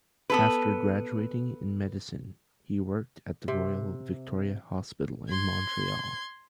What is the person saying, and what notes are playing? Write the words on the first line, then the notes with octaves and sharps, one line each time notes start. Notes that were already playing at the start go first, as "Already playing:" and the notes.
After graduating in Medicine he worked at the Royal Victoria Hospital in Montreal.
B3 A4 B4
C3
C6 G#6